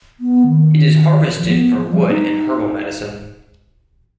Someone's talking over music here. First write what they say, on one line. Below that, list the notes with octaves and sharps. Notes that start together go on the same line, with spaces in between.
It is harvested for wood and herbal medicine.
B3
D#3
F3
B3
F3
G3
D#4